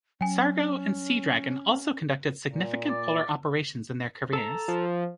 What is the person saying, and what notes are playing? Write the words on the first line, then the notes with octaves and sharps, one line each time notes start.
"Sargo" and "Seadragon" also conducted significant polar operations in their careers.
F#3 C#4 G5 G#5
A#2
D5
A4 A5 A#5
F3